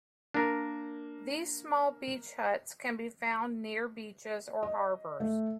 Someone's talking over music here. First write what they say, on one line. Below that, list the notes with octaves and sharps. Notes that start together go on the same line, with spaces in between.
These small beach huts can be found near beaches or harbours.
A#3 D4 A#4
D#5
A3